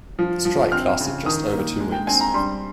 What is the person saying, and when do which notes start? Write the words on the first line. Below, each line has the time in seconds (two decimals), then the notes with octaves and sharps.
The strike lasted just over two weeks.
0.19 F3
0.45 F3
0.72 C4 F6
1.00 C#3
1.26 D#3 D#6
1.53 A#3
1.80 G#3
1.92 G5
2.07 C4 G#5
2.21 A#5
2.34 G3 C6